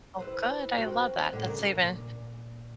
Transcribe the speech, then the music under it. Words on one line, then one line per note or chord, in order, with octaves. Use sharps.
Oh, good, I love that. That's even
E4 B4 C5
C4 F#4 A#4
A2 D3 E4
C#3 A#4
A#2